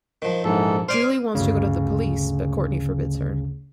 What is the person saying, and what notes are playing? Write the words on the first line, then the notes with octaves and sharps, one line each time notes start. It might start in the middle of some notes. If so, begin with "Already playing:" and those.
Julie wants to go to the police, but Courtney forbids her.
D#3 F3
A#1 G#2 E3 A4
C5 D5 G#5 C6 F6
G1 D2 C#3